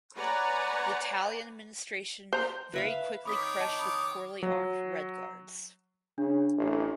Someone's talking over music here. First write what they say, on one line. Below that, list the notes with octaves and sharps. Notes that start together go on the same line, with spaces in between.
The Italian administration very quickly crushed the poorly armed "red guards".
B4 C#5 D5 F#5 G#5 A#5
C5 A#5
B4 E5 F5
D#3 C#5 B5 D6 D#6 B6
D#5 A5
B5 D#6
D#6
F#3
C#3 D4
A1